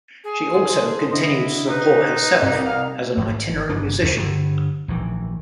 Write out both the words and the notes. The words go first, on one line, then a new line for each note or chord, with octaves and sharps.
She also continued to support herself as an itinerant musician.
G#4
A4 C5
D3 E4 D#5
D#4 B4
C2
F5
D#1 G#1
G1 C#3 E3 D4
D#2 C#3
G2 D3
A#1 D#3 E3